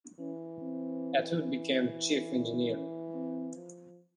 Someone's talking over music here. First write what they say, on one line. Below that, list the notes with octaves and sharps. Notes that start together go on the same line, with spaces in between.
Atwood became chief engineer.
E3 C#4
C4
C#4
C4
F3